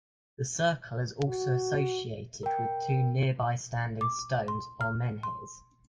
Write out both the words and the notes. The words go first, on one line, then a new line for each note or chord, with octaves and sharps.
The circle is also associated with two nearby standing stones or menhirs.
F#4
A#4 G5
D6
C6
F6
C6